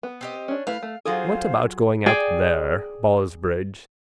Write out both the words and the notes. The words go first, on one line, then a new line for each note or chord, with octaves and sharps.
What about going out there: Ballsbridge.
B3
C4 G4 D#5
C#4 D4
A3 E4 B4 F5
A3
F#3 F4 G#4 A4 C5 F5
G#4 D5 G5